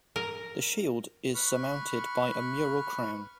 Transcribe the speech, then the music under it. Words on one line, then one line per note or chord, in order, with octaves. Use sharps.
The shield is surmounted by a mural crown.
A#4
B4 B5 C#6 F6